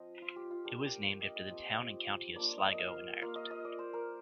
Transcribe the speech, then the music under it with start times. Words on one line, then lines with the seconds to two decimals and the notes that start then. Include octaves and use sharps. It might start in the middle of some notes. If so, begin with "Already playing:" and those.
It was named after the town and county of Sligo in Ireland.
Already playing: F3 C4 D#5
0.22 F4
0.36 G4
0.51 F4
0.65 A#3 D4 F4 G4
0.86 G4
1.22 D#5
1.36 D#5
1.51 F3 C4 F4
2.36 A#3 D4 F4 D5
2.58 D#5
2.72 D#5
2.79 F5
3.22 A#3 F4 F5
3.36 D#5
3.51 D#5
3.65 D5
3.79 C5
3.93 A#4